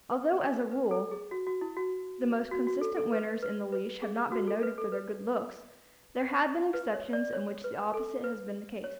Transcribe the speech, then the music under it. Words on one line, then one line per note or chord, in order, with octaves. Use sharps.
Although, as a rule, the most consistent winners in the leash have not been noted for their good looks, there have been exceptions in which the opposite has been the case.
B4
C#5
B4
A4
G#4
F#4
F#4
E4
F#4
F#4
F#4
A4
A4
B4
B4
B4
G#4
F#4
A4
B4
A4
B4
B4
C#5
D5
C#5
B4
A4
B4
C#5